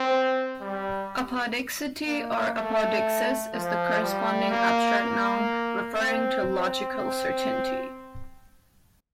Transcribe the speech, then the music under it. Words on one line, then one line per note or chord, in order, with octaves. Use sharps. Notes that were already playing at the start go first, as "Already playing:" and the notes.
Apodicticity or apodixis is the corresponding abstract noun, referring to logical certainty.
Already playing: C4
G3
A#3
A3
F3
G3
A#3
A#3
C4
C4
C4